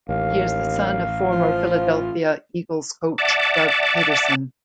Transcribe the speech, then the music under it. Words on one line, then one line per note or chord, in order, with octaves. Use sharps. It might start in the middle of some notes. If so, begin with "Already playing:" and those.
He is the son of former Philadelphia Eagles coach Doug Pederson.
A1 D#2 F5
F3 F4
D5 E5 F#5 A5 D6